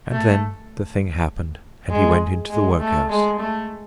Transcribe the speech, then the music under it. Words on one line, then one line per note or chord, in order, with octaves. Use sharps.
And then the thing happened, and he went into the workhouse.
A3
G#3
G#3
A3
G#3
A3